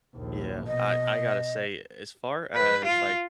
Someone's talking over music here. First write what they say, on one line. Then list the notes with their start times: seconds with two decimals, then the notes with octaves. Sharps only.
Yeah, I I gotta say, as far as, like,
0.15 A#1 D#2
0.67 B2 D#5
2.55 B4
2.85 F4